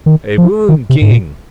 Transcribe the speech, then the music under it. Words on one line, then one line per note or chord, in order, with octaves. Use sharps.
"A boon, King!"
D#3
F3
D#3
C3
G#2
A#2